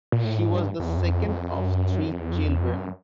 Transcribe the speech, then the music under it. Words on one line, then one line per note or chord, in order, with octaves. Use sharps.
She was the second of three children.
A#2
A2
G#2
G2
F2
E2
F#2
F2
F2
F#2
F2
E2
F2
E2
F2
F#2